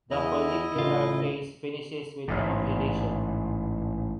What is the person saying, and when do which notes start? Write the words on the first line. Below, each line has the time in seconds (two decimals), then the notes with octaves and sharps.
The follicular phase finishes with the ovulation.
0.11 E2 E4 D#5
0.76 A1 C#3 F4
2.28 A1 G#2 D3